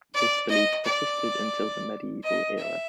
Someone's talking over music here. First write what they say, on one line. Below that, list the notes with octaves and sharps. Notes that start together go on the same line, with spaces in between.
This belief persisted until the Medieval era.
D5
D#5
D5
D#5
E5